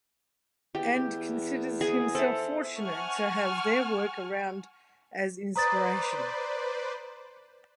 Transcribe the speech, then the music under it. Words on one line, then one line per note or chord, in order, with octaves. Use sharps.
And considers himself fortunate to have their work around as inspiration.
E2 G4
G#4
A4 C5 E5
F#5 G#5 A5 C#6 F6
B4 C5 D5 A#5 D#6 A6